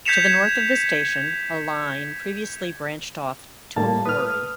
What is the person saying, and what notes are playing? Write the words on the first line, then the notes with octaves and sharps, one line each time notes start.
To the north of the station, a line previously branched off to a quarry.
G6 G#6 B6 C#7 E7 F7
A2 G3 A#3 A5
B4 D#6 F6